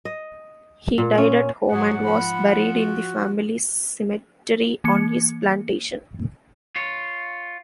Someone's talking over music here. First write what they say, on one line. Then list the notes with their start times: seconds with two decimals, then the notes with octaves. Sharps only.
He died at home and was buried in the family cemetery on his plantation.
0.05 D#5
0.98 A#2
1.18 C#4
1.70 G#2 F#3 G#4 F#5
2.04 F3 B5
2.75 F#4
4.84 E3 A#3 C#7
6.76 F4 C#5